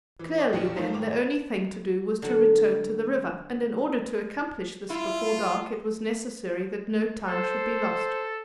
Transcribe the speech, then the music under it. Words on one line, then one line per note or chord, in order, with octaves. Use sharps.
Clearly, then, the only thing to do was to return to the river; and in order to accomplish this before dark it was necessary that no time should be lost.
E3
C#5 D6
A#1 D#2 G4 D5 D#5 C#7
A3 A#3 D#4 C5
G#1 D#3 D6 F7
D3 F#3 F#5
E4 F4
A4 C5